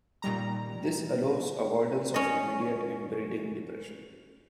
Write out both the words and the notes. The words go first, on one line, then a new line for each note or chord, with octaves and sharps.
This allows avoidance of immediate inbreeding depression.
A#2 D#3 G3 A#5
C#4 D#5